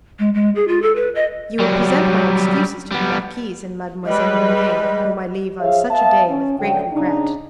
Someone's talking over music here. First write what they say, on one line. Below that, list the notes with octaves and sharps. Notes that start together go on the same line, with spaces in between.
"You will present my excuses to the marquise and Mademoiselle Renee, whom I leave on such a day with great regret."
G#3
G#3
G#4
F4
A4
B4
D#5
F#3 G3
G3 B3
G3 G#3 B4 D#5
F3 G#4 C#5 E5 F5
B3 E5 F5 A5
C#4
D2 D3 F#3 G5
C#3 D4 D#4